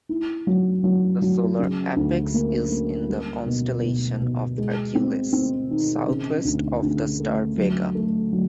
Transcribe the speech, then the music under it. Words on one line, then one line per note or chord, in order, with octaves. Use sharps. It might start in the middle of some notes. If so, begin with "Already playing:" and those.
The solar apex is in the constellation of Hercules, southwest of the star Vega.
E4
F#3
F#3
F#3
C#3
D2
A#3
A#3
G3
B2
B2
B2
G#3
C4
C4
D#3
C#3
D2
D2
A3
F#3
A3
F#3